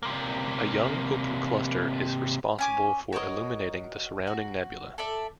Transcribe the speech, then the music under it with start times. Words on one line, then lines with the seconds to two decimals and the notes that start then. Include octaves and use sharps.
A young open cluster is responsible for illuminating the surrounding nebula.
0.03 C3 A#3
2.59 C#4 G#5 D6
3.12 F#4 A#4 C#5 D#5
4.27 F#4
4.98 A4 D5 E5